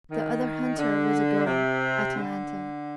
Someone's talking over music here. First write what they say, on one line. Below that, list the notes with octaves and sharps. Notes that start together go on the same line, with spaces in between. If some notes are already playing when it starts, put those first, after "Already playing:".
The other hunter was a girl, Atalanta.
D#3
D3
C3
D3